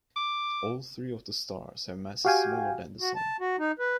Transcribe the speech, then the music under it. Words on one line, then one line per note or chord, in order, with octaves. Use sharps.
All three of the stars have masses smaller than the Sun.
D6
F#4 G4 F5 G5 G#5
F#4
A5
F#4
D#4
B4